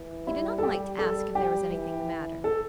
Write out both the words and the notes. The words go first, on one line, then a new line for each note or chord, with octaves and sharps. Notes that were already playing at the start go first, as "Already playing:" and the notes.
He did not like to ask if there was anything the matter.
Already playing: E3
G3 E4
A4
G4
A4
G4
E3
A4